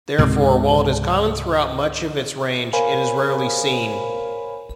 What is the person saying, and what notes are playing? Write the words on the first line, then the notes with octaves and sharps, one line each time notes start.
Therefore, while it is common throughout much of its range, it is rarely seen.
C#2 G#2 C3 C4
A#4 C5 C#5 F5 G#5 B5